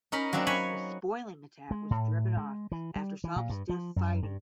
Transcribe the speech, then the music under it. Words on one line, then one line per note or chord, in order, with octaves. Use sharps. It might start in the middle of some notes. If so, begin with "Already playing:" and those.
The spoiling attack was driven off after some stiff fighting.
C#4 D#4 A#4 B5
F#3 A#3 C4 D4 D#4
C#5 F#5 G#5 B5
G#3
A2
G#3
E3
G3
E3
A#2
G2
F3
F#2
G2